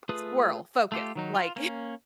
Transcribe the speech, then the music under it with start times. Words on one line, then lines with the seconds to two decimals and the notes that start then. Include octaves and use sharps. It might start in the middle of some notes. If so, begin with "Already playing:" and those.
squirrel, focus, like
0.09 A3 F4 G#4 B4 D#6
0.92 A3 F4 G4
1.15 D#3 F#3 D#4
1.35 F4
1.56 A#3 C#4